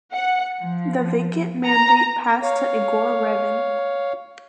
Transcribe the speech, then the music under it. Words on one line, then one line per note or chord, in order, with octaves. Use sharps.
The vacant mandate passed to Igor Revin.
F#5
F3
A#5
C#5 F5